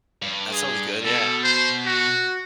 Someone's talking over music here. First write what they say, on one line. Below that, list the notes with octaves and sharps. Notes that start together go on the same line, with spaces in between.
That sounds good, yeah.
G2
G#4
B2 A4
C5
F#4